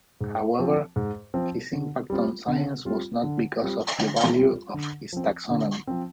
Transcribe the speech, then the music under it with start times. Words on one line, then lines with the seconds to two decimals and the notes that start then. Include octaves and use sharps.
However, his impact on science was not because of the value of his taxonomy.
0.21 G#2
0.59 F3 C4
0.96 G#2
1.34 F3 C4
1.73 D3
2.10 G3 C4 F4
2.48 D3
2.85 G3 C4 F4
3.23 D3
3.61 G3 C4 F4
3.98 D3
4.36 G3 C4 F4
4.74 D3
5.13 F3 C4
5.50 D3
5.87 F3 C4